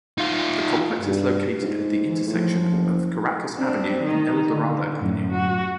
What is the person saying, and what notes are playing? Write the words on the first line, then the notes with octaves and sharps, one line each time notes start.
The complex is located at the intersection of Caracas Avenue and El Dorado Avenue.
D#4 F4
G2
G#2
E3
A2 F3
F#1
C4 D4
D#3 D#4
D3
F#2 A2
F#4